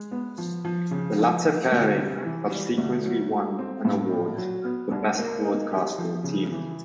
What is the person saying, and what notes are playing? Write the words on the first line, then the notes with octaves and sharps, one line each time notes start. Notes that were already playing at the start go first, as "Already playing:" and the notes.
The latter pairing subsequently won an award for best broadcasting team.
Already playing: G#3
B3
F3
F3
C#3
F3
A#3
D2
C3
E3
G3
D2
F#3
A3
C4
A2
A#2
F#3
B3
C2
A#3
D#4
G4
F3
C#3
E3